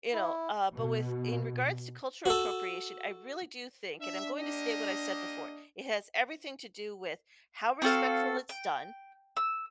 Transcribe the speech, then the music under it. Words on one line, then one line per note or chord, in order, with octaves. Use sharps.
you know, uh, but with in regards to cultural appropriation, I really do think, and I'm going to state what I said before, it has everything to do with how respectful it's done.
E4
B2
F#4 A4
D4 E5
A#3 G4 D#5
C4 F#4 A4 F5
G5
E6